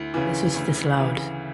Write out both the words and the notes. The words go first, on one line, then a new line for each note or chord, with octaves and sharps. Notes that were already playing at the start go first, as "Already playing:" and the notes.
This was disallowed.
Already playing: D2 E4
C#3 E3
D2
C#3 E3